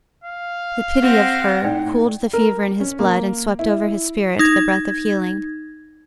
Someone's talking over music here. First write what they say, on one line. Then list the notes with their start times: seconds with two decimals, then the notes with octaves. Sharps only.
The pity of her cooled the fever in his blood and swept over his spirit the breath of healing.
0.24 F5
1.01 C4 G4 F#5 A#6
1.64 A2 D#4 D5 G5
2.33 A#4
2.80 C#4
2.99 A#3
3.59 E4
4.39 D#4 G#6